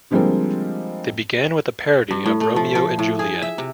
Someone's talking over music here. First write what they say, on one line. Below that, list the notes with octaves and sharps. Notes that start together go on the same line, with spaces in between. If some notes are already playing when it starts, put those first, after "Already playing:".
They begin with a parody of "Romeo and Juliet".
D3 F3 G3 G#3 A#3 C4
G2
A2
A3
F3
F3
A2
G#4
E5
C3